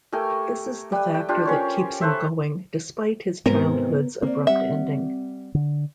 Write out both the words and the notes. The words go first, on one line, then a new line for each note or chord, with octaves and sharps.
This is the factor that keeps him going despite his childhood's abrupt ending.
A3 G4 A#4 G#5
G3 B4
G5
D4 F4 G4 B4
C#4 A#4 C5 C#5
A4 B4 C5 E5
G#2 C3 D#3 B3 A#4
A#3 C4 D5
G3 E5 F#5
D3